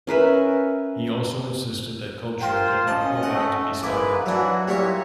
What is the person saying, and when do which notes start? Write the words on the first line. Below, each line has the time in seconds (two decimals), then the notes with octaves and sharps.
He also insisted that culture could not be allowed to be stagnant.
0.07 C#4 A#4 B4 E5
2.41 F4 A#4 C5 G5 C6
2.87 C#4 D#5 A5
3.23 A3 F#5
3.83 G#2 A#3 E4 B4 E5 D6
4.26 E3 F#3 D4 F#4
4.68 A#2 G3 E4 F#4 C#5